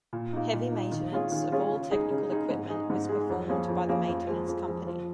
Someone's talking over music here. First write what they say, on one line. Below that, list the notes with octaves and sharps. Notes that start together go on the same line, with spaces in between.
Heavy maintenance of all technical equipment was performed by the Maintenance Company.
A#2
A#3 D#4
A#2
A#3 D#4
D#3
G#3 C#4 F4 G#4
D#3
G#3 C#4 F4 G#4
C#3
G#3 D#4 G#4
C#3
G#3 D#4 G#4
G#2
G#3 D#4 G#4
G#2
G#3 D#4 G#4
F2
F3 A#3 C#4 G#4
F2
F3 A#3 C#4 G#4
F2
F3 G#3
F2
F3 G#3
F3